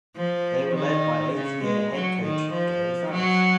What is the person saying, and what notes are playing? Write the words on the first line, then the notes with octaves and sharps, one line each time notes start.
They were led by eighth–year head coach Gerry Faust.
F3
D#3
C#3
G#3
F#3
D#3
F3
F#3